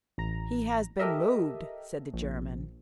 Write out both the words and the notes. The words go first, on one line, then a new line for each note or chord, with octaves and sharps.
"He has been moved," said the German.
A1 A#5
G4 A4 A#4 D#5 E5
A#1